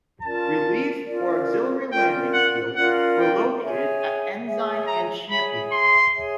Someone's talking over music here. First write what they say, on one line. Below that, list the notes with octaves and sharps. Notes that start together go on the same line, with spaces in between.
Relief or auxiliary landing fields were located at Ensign and Champion.
C#4 F4 A#4 D5 A5
C#4 F4 A#4 D5
C#4 F4 A#4 D5 G5
F#5
C#4 F4 A#4 D5 F#5
G5
G#4 C#5 E5 G#5
G#4 C#5 E5 G#5
A#5
G#4 C#5 E5 G#5 B5
C6
G#4 C#5 E5 G#5